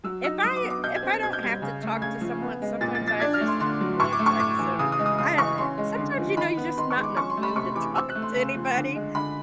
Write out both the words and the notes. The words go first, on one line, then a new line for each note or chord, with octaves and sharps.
If I if I don't have to talk to someone, sometimes I just will text 'em. I, uh, eh sometimes you know you're just not in the mood to talk to anybody,
F#3 E6
D#4 E6
F#3 D#6
D6
B3
D6
B2 G6
G#6
C4
G#6
B2 G#6
G6
G3 G#6
C#3
A3
C#3 G#6
F3
B3
G#3
A#2 A6
A6
F3
A6
D4 G#6
F6
A3
C6
D3 C6
F#3
A2 C#6
D6
A3
C#6
A2 D6
E3
C#3 D#6
D#6
G#3
D#6
C#3 D#6
E3 C#6
C#4 C6
G#3
D3
F3
D#3 B5
B3
D#3 C6
C#6
G#3
D6
C#4 C#6
C6
A3
B5
C3 C#6
E3 D6
C4 E6
F#6
A3
C6
C#3
F3
D3
G#3
D3 B5